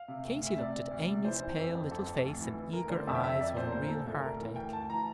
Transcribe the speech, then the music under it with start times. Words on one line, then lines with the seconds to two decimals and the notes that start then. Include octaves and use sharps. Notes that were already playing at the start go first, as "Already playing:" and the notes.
Katy looked at Amy's pale little face and eager eyes with a real heartache.
Already playing: F5
0.08 C3
0.25 D2
0.41 D2
0.46 E5
0.58 C3 D5
0.75 C3
0.91 D2
1.08 C3
1.25 E3 C5
1.41 E3
1.57 F2
1.75 F2
1.91 F2 A4
2.08 F2
2.24 D2
2.41 E3
2.58 E3
2.73 D2 A#4
2.90 D3 C5
2.98 D5
3.07 F2 E5
3.15 G5
3.24 F2 E5
3.40 F2 D5
3.57 A#2 C5
3.65 A#4
3.72 A#2 C5
3.83 A#4
3.90 A#2 A4
4.06 C2 A4
4.23 D2 A#4
4.40 E3
4.56 D2 G5
4.72 D2 A5
4.89 E3 A#5